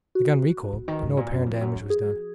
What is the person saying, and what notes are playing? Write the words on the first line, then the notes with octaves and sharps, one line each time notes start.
The gun recoiled, but no apparent damage was done.
F#4
B2
D#3
G#2
A#2
F#2
F2
F#2
F3
G#4